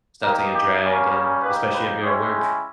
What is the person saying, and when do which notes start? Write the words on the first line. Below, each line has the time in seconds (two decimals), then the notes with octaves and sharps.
it's definitely a drag and especially if you're at work.
0.23 A#3 D#4 G4 A#4
0.53 G4
0.83 G3 A#3 C#4
1.13 G#4
1.42 A#3 D#4 G4 B4
1.72 B4
2.03 G#3 C#4 E4 G4 C#5